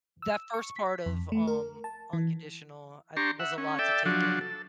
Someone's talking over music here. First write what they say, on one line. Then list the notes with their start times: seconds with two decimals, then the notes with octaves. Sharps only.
That first part of, um, unconditional I was a lot to take in.
0.22 E6
0.54 C#6
0.76 B6
1.06 F2
1.32 A3
1.47 A#4
1.84 A5
2.13 E3
3.17 D4 G4 A#5 C6 C#6
3.39 E5 F#5
3.58 C#4
3.79 A4 D5 E5 G5
4.06 F3 F#3 D4 F#4
4.41 A4